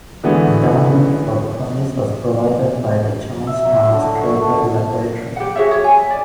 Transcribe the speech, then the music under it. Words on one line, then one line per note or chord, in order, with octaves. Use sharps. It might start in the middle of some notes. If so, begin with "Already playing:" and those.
Endowment for the prize was provided by the Charles Stark Draper Laboratory.
B2 D3 E3 G#3 A3 B3
E5
F#3
D3
C#6
D3
G4 F#5
F#4 G#4 C#5 E5
C#5
G#5
E5
D5